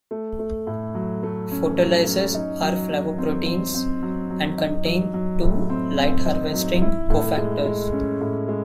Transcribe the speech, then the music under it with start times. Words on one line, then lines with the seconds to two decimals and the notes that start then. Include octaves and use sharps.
Photolyases are flavoproteins and contain two light-harvesting cofactors.
0.11 A3
0.39 A3
0.67 A2
0.95 F#3
1.23 A3
1.51 C#4
1.79 F#3
2.07 C#4
2.35 D#4
2.62 F#3
2.91 F#3
3.18 C4
3.46 C4
3.75 C4
4.03 F#3
4.30 F#3
4.58 D#4
4.86 F#3
5.14 F#3
5.41 A2
5.70 C4
5.97 C4
6.26 D#4
6.54 F#3
6.82 E4
7.10 A2
7.37 G#3
7.65 G#3
7.92 C#4
8.21 A2
8.49 G#3